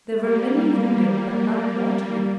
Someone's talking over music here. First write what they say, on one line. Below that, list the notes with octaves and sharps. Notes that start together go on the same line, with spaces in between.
There were many wounded, but none mortally.
G3 A#3